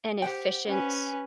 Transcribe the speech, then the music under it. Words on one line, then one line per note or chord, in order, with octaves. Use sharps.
an efficient,
G4 C5 F#5 G5
C#4 B4 G#5